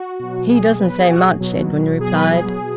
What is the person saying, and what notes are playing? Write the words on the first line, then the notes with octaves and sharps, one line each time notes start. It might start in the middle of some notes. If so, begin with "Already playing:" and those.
"He doesn't say much," Edwin replied.
Already playing: F#4
B2 F#3
G#4
B4
B4
G#4
F#4
G#4
B2 F#3
G#4
B4
G#4
B2